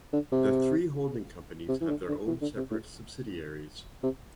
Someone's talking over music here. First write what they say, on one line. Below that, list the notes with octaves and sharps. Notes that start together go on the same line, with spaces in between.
The three holding companies have their own separate subsidiaries.
D3
C3
C3
E3
D3
D3
E3
D3
C3
A2
C3